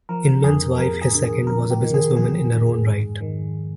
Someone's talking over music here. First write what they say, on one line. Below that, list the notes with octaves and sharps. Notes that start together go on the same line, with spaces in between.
Inman's wife, his second, was a business woman in her own right.
F3 A#4
F2 G#4
F2 A#4
G#4
D3
G#4
F2 A#4
G4
D#3
G#4
F2 G#4
D#3
G#2
D#3